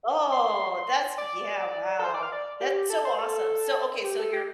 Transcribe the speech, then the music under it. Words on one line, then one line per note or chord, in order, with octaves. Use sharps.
oh! That's yeah, wow. That's so awesome. So, okay. So you're
C6
D5
A4
C5
D5
F5
D5
G4
A4
C5
A4
G4
A4
G4